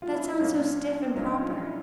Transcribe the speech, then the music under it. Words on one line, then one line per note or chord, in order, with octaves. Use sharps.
That sounds so stiff and proper.
F4
E4
D#4
A#2 F#3 A#3 C#4 D4
D4
A#2 F#3 A#3 C#4 D#4
F4
D#4
E4